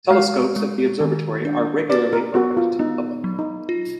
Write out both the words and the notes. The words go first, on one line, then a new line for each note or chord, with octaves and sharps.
Telescopes at the observatory are regularly opened to the public.
G#3 F5
G#3
D#3
D4
B4 D5
A#4
B3 F#4
F4
B3 D#4
F#3
D#4
F4